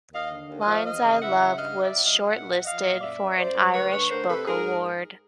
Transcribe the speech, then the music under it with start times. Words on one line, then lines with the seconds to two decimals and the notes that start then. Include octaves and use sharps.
"Lines I Love" was shortlisted for an Irish Book Award.
0.12 D#2 D#5 F5
0.30 D3
0.48 D#2
0.60 D#5 F5
0.66 F3
0.84 E2 D#5 F5
1.02 C#3
1.20 E3 E5 F#5
1.39 C#3
1.57 G2 D#5 F5
1.75 F#3
1.81 D5 E5
1.93 F#3
2.05 D#5 F5
2.10 F#3
2.29 A#2 E5 F#5
2.47 F3
2.65 F3 D#5 F5
2.83 A#2
3.01 F#2 D5 E5
3.19 F#2
3.37 F#2 C5 D5
3.55 G3
3.73 D2 B4 C#5
3.91 D2 B4 C#5
4.09 D2 A#4 C5
4.28 C3 A4 B4
4.46 G#2 G#4 A#4